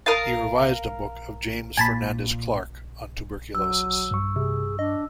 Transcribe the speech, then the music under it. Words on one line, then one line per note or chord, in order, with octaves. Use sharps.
He revised a book of James Fernandez Clarke on tuberculosis.
A#4 F5 D#6 A6
A#2 G#5 A5 B5
F#3 E6
G2 C#6
C3 G#4
D4 D#5